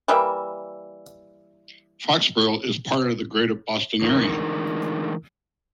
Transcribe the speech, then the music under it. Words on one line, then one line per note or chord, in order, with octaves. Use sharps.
Foxborough is part of the Greater Boston area.
E3 G3 A#3 E5
D3 E3 G#3 A3 D#4 A#4